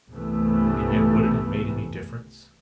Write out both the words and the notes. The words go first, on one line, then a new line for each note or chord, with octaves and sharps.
And yet would it have made any difference?
C2 G2 C3 E3 A3 B3